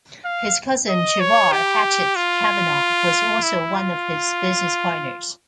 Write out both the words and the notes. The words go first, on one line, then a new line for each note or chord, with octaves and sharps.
His cousin Gerard "Hatchet" Kavanagh was also one of his business partners.
F5
D#5
C#5
G4
F4
E4
F4